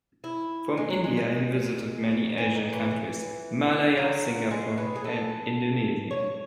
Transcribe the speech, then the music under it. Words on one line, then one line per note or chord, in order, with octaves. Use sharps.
From India, he visited many Asian countries: Malaya, Singapore, and Indonesia.
E4
G#3
F#3
G#3
G#3
E3
D#3
E3
E3
F#3
G#3
B3
G#4
A4
C#5